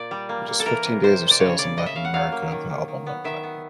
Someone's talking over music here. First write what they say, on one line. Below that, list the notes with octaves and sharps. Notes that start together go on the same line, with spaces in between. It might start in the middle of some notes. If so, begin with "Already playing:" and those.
In just fifteen days of sales in Latin America, the album went platinum.
Already playing: A#2 D5
G3
A#3
A#3
A4
E3 A#4
C3
C3 C5
C3
D5
C#3 C#5
C#3 D5
C#3 D#5
E5
C#3 F5
F#5
F#3 F5
A#3
D#3
D#3
D#3
B3
D#3 E5
B3